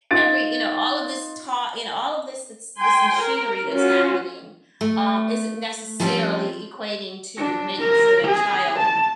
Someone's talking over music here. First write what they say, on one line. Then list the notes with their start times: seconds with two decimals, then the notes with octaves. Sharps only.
Every you know, all of this taught you know, all of this this machinery that's happening, um, isn't necessarily equating to making sure that child
0.11 D#4 F4 A6 D7
2.79 G5 G#5 C6
3.17 A#4
3.69 C#4 F4 F#4
4.81 A3
6.00 F3 G3 C4 C#4 G4
7.37 D4
7.82 A#4
8.25 G#4
8.79 A5